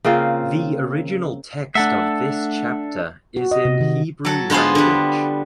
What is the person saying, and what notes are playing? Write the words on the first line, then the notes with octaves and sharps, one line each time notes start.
The original text of this chapter is in Hebrew language.
C#3 A#3 C4 F4
A3 D4 A4 E5 F#5
F#4
D#5
C3
D#3
F#3 A4
D3 B3 F4 G#4 C5
D3 G3